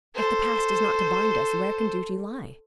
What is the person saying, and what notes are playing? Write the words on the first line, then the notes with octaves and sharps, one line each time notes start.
If the past is not to bind us, where can duty lie?
A4 C5